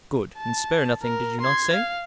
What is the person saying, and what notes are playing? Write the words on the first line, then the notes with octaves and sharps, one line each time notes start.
"Good! and spare nothing, did you not say?"
A5
A#4
C6 G#6
F5